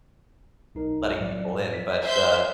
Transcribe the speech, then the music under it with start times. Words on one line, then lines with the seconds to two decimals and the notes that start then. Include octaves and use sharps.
letting people in, but, uh,
0.75 B1 D#4 A#4
1.20 A2 F#3 D5
1.74 B6
2.03 C5 E5 G6